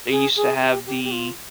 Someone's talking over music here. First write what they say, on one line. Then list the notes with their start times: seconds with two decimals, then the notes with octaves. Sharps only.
they used to have the,
0.09 G#4
0.36 G#4
0.60 G4
0.86 G4
1.03 G4
1.11 F4